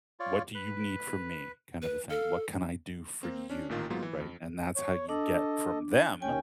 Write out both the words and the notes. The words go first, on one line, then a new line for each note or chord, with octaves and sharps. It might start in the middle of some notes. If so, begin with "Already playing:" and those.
what do you need from me kind of a thing, "What can I do for you?" right, and that's how you get from them
F4 C#5 D5
B4
B4
A4 F5
A#3 C4
C#4 D4
A1 A#2 D#3 F4
G#2 F#3 A#3 B3 F4
E3
F2
C#5
D4 A4 D#5
D#2 C#4 G5 G#5